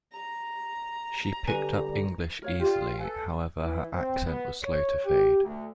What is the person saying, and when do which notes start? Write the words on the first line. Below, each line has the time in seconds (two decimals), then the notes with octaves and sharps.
She picked up English easily, however, her accent was slow to fade.
0.13 A#5
1.48 D3 G3 B4 G#5
2.42 A#4 C#5 F5
2.59 F4 G4 D5
2.99 A4 B4 F5 G#5
3.59 E3
3.93 C4
4.24 B3
4.63 C#5
5.05 G4
5.42 D2